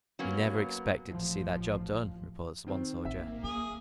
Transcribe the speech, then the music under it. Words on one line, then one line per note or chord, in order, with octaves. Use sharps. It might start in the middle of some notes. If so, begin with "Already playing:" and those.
"We never expected to see that job done," reports one soldier.
F#3 A#3 B3 C#4
A1 F3
D#3 C4
A1 A#3 E5
D#4 G#4